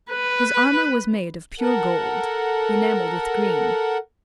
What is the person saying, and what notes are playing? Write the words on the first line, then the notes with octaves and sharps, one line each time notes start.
His Armour was made of pure Gold, enamell'd with Green.
B4
A4 A#4 F#5